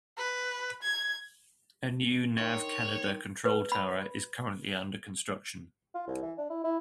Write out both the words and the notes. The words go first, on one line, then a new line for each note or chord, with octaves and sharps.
A new Nav Canada control tower is currently under construction.
B4
G#6
D#3 C#5 C6
B4
B5
F4
C2
E3
D4
E4
E4